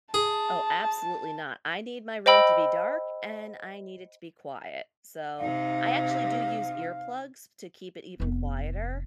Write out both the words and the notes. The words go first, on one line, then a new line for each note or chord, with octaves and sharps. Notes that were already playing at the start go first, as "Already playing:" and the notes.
Oh, absolutely not. I need my room to be dark, and I need it to be quiet. So, I actually do use earplugs to keep it even quieter.
G#4 A5
C5 D#5 G5 B5 E6
C3 D#4 F5
F1 B3